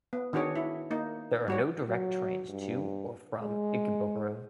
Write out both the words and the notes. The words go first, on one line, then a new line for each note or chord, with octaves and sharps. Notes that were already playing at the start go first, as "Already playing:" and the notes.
There are no direct trains to or from Ikebukuro.
B3
D#3 D4 F#4 G#4 C#5
E4
A#3 D#4
G3 F#4 C#5
F#3
G2
G#3